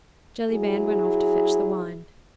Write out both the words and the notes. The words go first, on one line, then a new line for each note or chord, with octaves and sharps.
Jellyband went off to fetch the wine.
F#3 E4 G#4